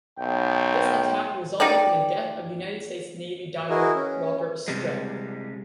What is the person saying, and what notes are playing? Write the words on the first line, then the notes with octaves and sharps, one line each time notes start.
This attack resulted in the death of United States Navy diver Robert Stethem.
B1 G5
D#4 G4 D5
E4 F#4 G#4 A#4 D#5
C#4
C3 G3 G#3